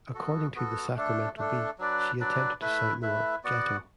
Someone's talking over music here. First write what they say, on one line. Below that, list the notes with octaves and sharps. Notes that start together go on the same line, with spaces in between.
According to "The Sacramento Bee", she attempted to sound more "ghetto".
B3 F#4 A4
B3 F#4 A4
A3 D4 A4
A3 D4 A4
F#3 D4 B4 D5
F#3 D4 B4 D5
A3 E4 B4 E5
A3 E4 B4 E5
B3 F#4 D5 F#5